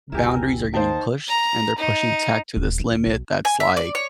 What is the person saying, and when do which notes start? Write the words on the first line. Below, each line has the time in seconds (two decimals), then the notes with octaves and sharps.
boundaries are getting pushed and they're pushing tech to this limit that's, like,
0.12 F1 C#2 E4 G4 A#4 G#5
0.74 D#2 D#4 C5 F5 G5 A5
1.28 A#5
1.78 D#4
2.57 D#1
2.80 D#4
2.91 D2
3.06 B1
3.45 G#5
3.60 E5
3.77 D5
3.95 C#5